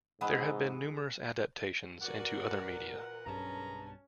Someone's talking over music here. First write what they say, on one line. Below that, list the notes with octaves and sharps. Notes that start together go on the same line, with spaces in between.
There have been numerous adaptations into other media.
G#2 E3 G#3 B3 F#5 B5
A#2 F#4 A#4 B4 D5 F#5
B1 G2 C#4 G#4 B4 A5 A#5